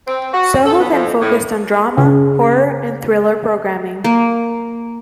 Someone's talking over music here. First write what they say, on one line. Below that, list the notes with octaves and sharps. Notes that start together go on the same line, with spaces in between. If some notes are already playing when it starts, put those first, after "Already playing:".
SoHo then focused on drama, horror and thriller programming.
C4
F#4
A4
B3
F2
A2
C#3
A#3